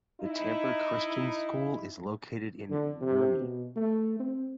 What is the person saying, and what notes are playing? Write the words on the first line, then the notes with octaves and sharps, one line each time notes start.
The Tampere Christian School is located in Nurmi.
D#4 E4
D3
C3
B2
A3
C4